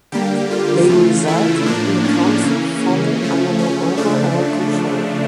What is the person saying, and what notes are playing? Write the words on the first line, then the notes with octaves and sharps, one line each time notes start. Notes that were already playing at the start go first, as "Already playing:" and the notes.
They resulted in the council falling under no overall control.
D3 G3 A#3 G4
F4
C#3 E3 A3
E4
A2 F3 A#3 D4
C#4
C#3 E3 A#3
C#3 F3 A3
C#4
C#3 F3 A3 D4